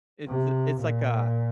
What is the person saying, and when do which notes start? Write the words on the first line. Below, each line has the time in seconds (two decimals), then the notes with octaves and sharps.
It's it's like a
0.28 C3
0.81 A#2